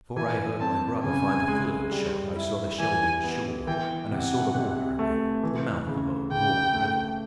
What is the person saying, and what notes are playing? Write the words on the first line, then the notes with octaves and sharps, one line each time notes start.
Before I heard my brother fire the third shot I saw the shelving shore, and I saw the water again; the mouth of a broad river.
E3 G#5
C4 A5
C#3 G#5
G#3
G3
E4
E3 G#5
B3
E3 G5
C3 F#5
C3
A3
E3
C#3
C#3 G5
A3